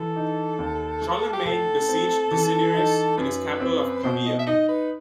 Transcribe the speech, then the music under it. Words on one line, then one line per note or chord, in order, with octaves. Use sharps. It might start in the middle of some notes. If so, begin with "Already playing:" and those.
Charlemagne besieged Desiderius in his capital of Pavia.
Already playing: E3 A4
D#4
D#2
A3
G4
A2 A4
C4
E3
D#4
F#2 B4
C4
B2 C5
D#5
E5
D#4 D#5
B4